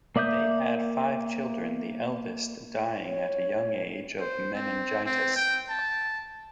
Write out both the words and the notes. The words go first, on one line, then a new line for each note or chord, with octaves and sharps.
They had five children, the eldest dying at a young age of meningitis.
A#3 D5 E5 D#6 G6
C#5
C5
C4
C4
G5
A5